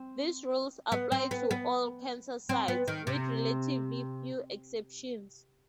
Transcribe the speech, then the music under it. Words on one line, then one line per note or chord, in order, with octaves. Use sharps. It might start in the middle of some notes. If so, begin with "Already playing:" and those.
These rules apply to all cancer sites, with relatively few exceptions.
Already playing: C4
B3
C4
B3
B3
C4
B3
D#3
C3